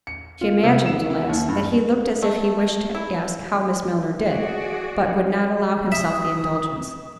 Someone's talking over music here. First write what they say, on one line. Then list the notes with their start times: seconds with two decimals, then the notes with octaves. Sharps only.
She imagined, alas, that he looked as if he wished to ask how Miss Milner did, but would not allow himself the indulgence.
0.07 C#7
0.41 F4
0.63 C3
0.86 E7
1.10 E4
1.29 D#2
1.48 G2
2.23 A3
2.95 E4
4.28 F#4 G#4 D5
5.92 E5 D#6